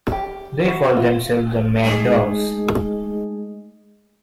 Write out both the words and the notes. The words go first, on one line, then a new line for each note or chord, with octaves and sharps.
They called themselves the Mad Dogs.
G4
F#4
F4
G#3 A3 D#4 G#4 D#5